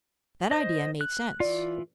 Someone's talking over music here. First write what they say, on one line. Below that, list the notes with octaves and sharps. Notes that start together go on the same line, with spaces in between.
That idea made sense.
C5 D#5
F#6
E3 F4 D5